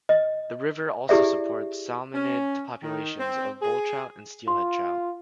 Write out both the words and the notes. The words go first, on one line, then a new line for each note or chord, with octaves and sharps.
The river also supports salmonid populations of bull trout and steelhead trout.
D#5
E4 G4 G#4 D5 E5
C#4
D#3
C4
G#4
F4 C6